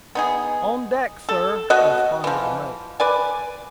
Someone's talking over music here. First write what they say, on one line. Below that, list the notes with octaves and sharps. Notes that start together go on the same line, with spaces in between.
"On deck, sir," responded the mate.
B3 D#4 G#4
A4
B2 F#4 C#5 D#5
E3 F3
B4 D5 G#5